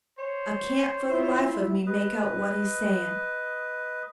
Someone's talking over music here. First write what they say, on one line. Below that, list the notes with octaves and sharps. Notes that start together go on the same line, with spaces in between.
I can't for the life of me make out what he's saying.
C5 C#5
E4 F4 E5
B4 D#5